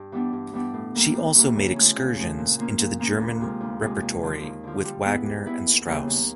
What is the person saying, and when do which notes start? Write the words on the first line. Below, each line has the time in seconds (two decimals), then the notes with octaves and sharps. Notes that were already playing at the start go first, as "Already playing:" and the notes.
She also made excursions into the German repertory with Wagner and Strauss.
Already playing: G2
0.12 E3 G3 B3 D4
0.33 G2
0.53 E3 G3 B3 D4
0.74 A2
0.95 E3 G3 A#3
1.15 A2
1.35 E3 G3 A#3
1.55 C#3
1.76 F3 A3 C#4
1.97 C#3
2.17 F3 A3 C#4
2.38 A#2
2.59 F3 A#3 C#4
2.79 A#2
2.99 F3 A#3 C#4
3.20 D2
3.40 C3 F3 G#3
3.60 D2
3.82 C3 F3 G#3
4.02 D#2
4.23 D3 F3
4.43 D#2
4.64 D3 F3
4.84 G3
5.04 B3 E4 G#4 B4
5.25 G3
5.46 B3 E4 G#4 B4
5.66 D#2
5.87 C#3 E3 G3 A#3
6.07 D#2